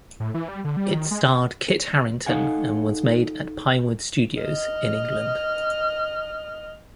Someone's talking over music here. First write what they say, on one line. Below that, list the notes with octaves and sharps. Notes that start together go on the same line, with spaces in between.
It starred Kit Harrington and was made at Pinewood Studios in England.
A2
E3
G3
D3
G3
D#3
G#3
D#4 A4 F5 F#5 G#5
D#5 F6